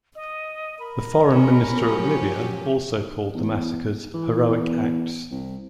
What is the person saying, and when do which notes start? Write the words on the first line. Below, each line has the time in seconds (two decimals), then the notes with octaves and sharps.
The Foreign Minister of Libya also called the massacres "heroic acts".
0.16 D#5
0.80 A#4 B5
1.30 C#4
1.67 F3 F#3 G4
3.35 E2
4.14 E3
4.48 E2
5.31 C2